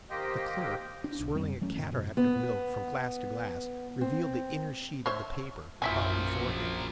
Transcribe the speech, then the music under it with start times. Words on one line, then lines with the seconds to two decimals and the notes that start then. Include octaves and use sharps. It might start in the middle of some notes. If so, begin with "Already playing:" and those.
The clerk, swirling a cataract of milk from glass to glass, revealed the inner sheet of the paper propped before him.
0.10 D#3 A#3 G4 C5 D#5 G5
1.04 D4
1.19 B1
1.35 F#2 G3 C4
1.61 E3 F#3 A3 C#4
1.77 F#2 A#2 D3
1.92 F#2 B2
2.17 B3
4.01 C4
5.06 C5 C#5 E5
5.82 A#1 F#2 A#2 F3 E4 E5 G#5